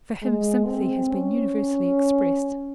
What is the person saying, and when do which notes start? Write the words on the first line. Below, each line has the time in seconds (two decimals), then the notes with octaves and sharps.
For him sympathy has been universally expressed.
0.22 G#3
0.67 C4
1.12 C#4